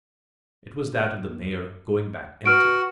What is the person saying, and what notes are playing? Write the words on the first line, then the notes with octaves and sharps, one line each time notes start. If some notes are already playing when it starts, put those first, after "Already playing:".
It was that of the mayor, going back empty.
F#4 B4 F6 D7